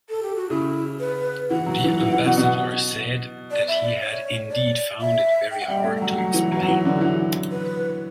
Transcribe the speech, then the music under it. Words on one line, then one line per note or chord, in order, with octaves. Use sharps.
The ambassador said that he had indeed found it very hard to explain.
A4
G4
F#4
C#3 E4
B4
E3 F#5
F#3
E3
E3
E3
B2
B2
D5
E5
D5
C#5
D5
E5
G5
F#5
G3 G5
A3
E5
F#3 F#5
F#3
E3
F#3
F#3
E3
D3
E3
B4